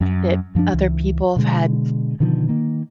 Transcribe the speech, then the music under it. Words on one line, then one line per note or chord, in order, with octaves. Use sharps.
that other people have had
F#2
F#2 F3 C4 D4
C#2 E3
B2 D3 G#3
B2 D3 D#3 F3
D#3 A#3